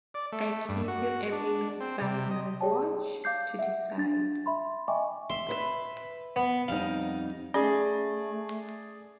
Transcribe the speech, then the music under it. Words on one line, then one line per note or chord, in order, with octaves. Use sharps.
I give you a minute by my watch to decide.
D5
A3
G2
F#4
D4
C4
C3
D#5
G4 G#4 C#5 D5 G5 A5
F5 D6 G6 C7
E5 F#5
D4 A6
E5 B5 C6
D#5 E5 G5 G#5 C#6 D6
E5 C6
B4 E5
B3
F2 G3 D#4 F5
A3 C#4 G#4 D5